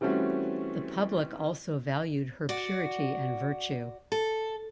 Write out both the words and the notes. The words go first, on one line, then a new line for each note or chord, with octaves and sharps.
The public also valued her purity and virtue.
E3 G3 A3 C4 C#4 F#4
F#4 D5
A4